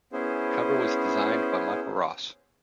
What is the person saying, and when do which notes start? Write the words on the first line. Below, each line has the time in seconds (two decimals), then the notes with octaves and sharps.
The cover was designed by Michael Ross.
0.13 B3 C#4 E4 G#4 C5